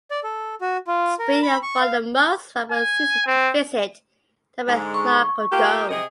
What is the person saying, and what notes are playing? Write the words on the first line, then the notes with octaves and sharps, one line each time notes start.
Spring and fall are the most favorable seasons to visit Tabernacle Dome.
D5
A4
F#4
F4
A#4
B5
C#6
F5
G#5
C4
G#2 D3 G#3
C#6
A#3 F4 G4
C3 G#4 D#5